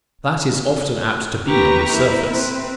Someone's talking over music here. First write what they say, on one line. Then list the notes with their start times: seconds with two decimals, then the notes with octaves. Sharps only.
That is often apt to be on the surface.
1.47 A#3 G4 B4 G5 A#5 C#6
1.89 A#3 E4
2.31 C4 B4